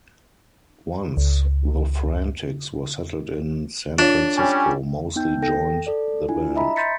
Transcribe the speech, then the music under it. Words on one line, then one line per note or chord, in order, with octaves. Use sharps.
Once The Frantics were settled in San Francisco, Mosley joined the band.
C#2
D4 F4 C#5
G3 C#4
B3 D#4 G5 G6
A4 G5 A#6
A4 D5
D4 E4 F4 G#5
D#5 E5 A#5 B5
C6 G6 A6 B6 C#7